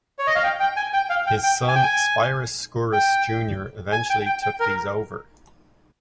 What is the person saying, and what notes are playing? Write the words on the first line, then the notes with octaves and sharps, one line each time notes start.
His son Spyros Skouras Junior eventually took these over.
C#5
D#5
F5
G5
G5
G#5
G5
F5
G5
G5
G#5
G5
G#5
G5
G#5
G5
G5
G5
A#4